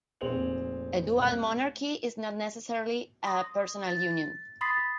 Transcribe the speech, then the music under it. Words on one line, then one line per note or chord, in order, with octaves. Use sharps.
A dual monarchy is not necessarily a personal union.
F1 A#2 C4 G#4 F7 F#7
C2 A2 F#6
C6 D#6 A#6
A6
B5 C6 D#6 A6 B6 C7